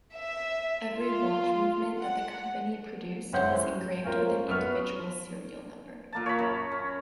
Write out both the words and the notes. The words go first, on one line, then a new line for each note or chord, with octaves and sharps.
Every watch movement that the company produced was engraved with an individual serial number.
E5
F4
F#5
F#1 G#2 C#4 C5 F#5 G6
F#3
C#4 F4 A#4 C5
F#2 B3 C#6 F6
A#2 A#3 A5
C#5 B5
F#2
C#4